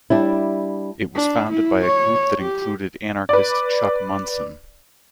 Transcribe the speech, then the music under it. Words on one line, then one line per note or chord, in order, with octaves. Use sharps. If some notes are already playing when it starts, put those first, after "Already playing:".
It was founded by a group that included anarchist Chuck Munson.
G3 D4 E4
D4
E4
C#5
G4
B4 D5